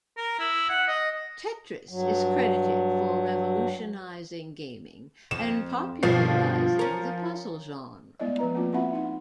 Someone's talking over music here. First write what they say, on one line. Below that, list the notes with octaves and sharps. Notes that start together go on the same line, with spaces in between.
"Tetris" is credited for revolutionizing gaming and popularizing the puzzle genre.
A#4
E4
F#5
D#5
G2 F#3
F2 E7
G2 B2 D3 F3 F4 C7
C#4 A#4
G#3 A3 B3 E4 D5 D#5
F3 B3 B4 A#5
A#3 C4 E4 F4
C4 E4 F#4 E5 F#5 B5
D#4 F#5